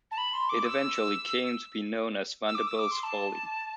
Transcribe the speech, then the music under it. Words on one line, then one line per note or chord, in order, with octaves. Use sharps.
It eventually came to be known as "Vanderbilt's Folly".
A5
B5
C6
D6
E6
E6
D6
E6
D6
C6
A5